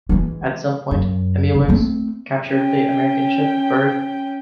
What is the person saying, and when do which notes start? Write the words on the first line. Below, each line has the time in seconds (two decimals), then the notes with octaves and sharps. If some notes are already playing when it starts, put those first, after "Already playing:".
At some point "Emulous" captured the American ship "Bird".
0.09 E3 G#3
0.91 F#2
1.54 F1
1.68 A3 C4
2.48 C#4 G5